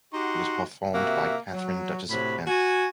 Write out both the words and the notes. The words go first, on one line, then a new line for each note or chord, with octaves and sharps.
It was performed by Katharine, Duchess of Kent.
D#4 F#4 G4 F#5 C6
C3 A#3 F#4 E5
F#3
A2 C3 F#4 C#5 B5
F#4 G#5